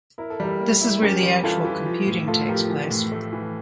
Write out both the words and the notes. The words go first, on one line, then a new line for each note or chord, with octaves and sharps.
This is where the actual computing takes place.
E4 A#4
A4
G3 G4 A#4
A#3
E4
C#4 G4 A#4
G3
E3 F4 A4
E3
F3
A2
A2 F4 A4
F3 G4 A#4
E3
A2
A3
E3